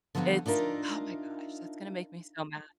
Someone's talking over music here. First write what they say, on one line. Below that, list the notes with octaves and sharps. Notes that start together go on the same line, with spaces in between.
It's oh my gosh, that's gonna make me so mad.
D3 F3 F#3 B3 D#4 F#4
D4 D#4 F4 A#4 E5